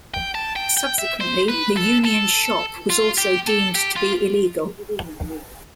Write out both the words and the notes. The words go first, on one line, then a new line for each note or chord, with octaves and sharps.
Subsequently, the Union Shop was also deemed to be illegal.
G5
A5
G5
G5
E5
C5
B4
A4
A4
F4
G4
A4
G4
F4